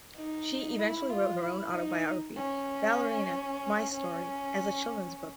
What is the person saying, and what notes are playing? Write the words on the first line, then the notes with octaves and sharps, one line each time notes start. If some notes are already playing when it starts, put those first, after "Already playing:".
She eventually wrote her own autobiography "Ballerina: My Story" as a children's book.
D#4
E4
F4
E4
D#4
C#4
C#4